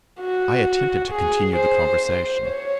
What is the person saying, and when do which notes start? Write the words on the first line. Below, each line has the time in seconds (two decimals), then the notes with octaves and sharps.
I attempted to continue the conversation.
0.21 F#4
1.11 G#4
1.56 C5
2.47 C#5